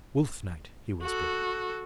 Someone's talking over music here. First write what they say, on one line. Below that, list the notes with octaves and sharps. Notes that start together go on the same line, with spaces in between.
"Wolf night!" he whispered.
F#4 A4